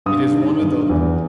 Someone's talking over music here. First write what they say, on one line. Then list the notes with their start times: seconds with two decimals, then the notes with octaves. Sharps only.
It is one of those.
0.06 G2 D#6
0.33 D#3
0.61 G2
0.89 E2